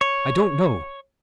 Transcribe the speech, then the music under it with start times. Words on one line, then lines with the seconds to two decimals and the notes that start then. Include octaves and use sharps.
I don't know.
0.01 C#5